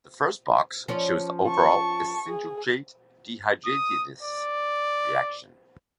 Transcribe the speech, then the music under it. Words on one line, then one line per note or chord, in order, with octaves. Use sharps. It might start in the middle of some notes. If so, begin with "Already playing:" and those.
The first box shows the overall isocitrate dehydrogenase reaction.
F3 C#4 C#5
A5 C#6
G#4
D#6
D5